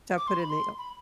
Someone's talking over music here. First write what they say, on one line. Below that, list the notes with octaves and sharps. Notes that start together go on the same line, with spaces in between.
So I'll put in the oh.
D6
C6
B5
C6
B5